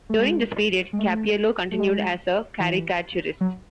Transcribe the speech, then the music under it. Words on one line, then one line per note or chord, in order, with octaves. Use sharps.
During this period, Cappiello continued as a caricaturist.
A3
G#3
G#3
A3
A3
G#3
E3
F#3